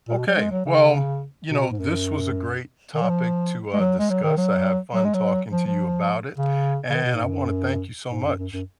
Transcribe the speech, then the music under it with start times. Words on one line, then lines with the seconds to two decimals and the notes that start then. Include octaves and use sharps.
Okay, well, you know, this was a great topic to, uh, discuss. I had fun talking to you about it, and I wanna thank you so much.
0.09 A#2
0.18 B2
0.27 F#3
0.37 G#3
0.51 F#3
0.65 C#3
1.51 B2
1.61 B2
1.71 G#2
1.80 F#2
2.95 D#3
3.02 F#3
3.09 F3
3.73 G#3
3.80 F#3
3.99 G#3
4.10 F#3
4.24 D#3
4.38 F#3
4.95 F#3
5.05 G#3
5.14 F#3
5.52 F3
5.67 F3
6.38 C#3
6.90 C#3
6.95 D#3
7.04 B2
7.14 G#2
7.24 F#2
8.10 G#2
8.24 F#2
8.38 F#2
8.53 F#2